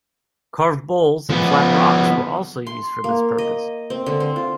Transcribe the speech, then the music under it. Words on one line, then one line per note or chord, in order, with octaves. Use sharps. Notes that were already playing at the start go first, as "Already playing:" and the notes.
Carved bowls and flat rocks were also used for this purpose.
F3 B3
C6
A#3
D#5
C4
D3
C4
F4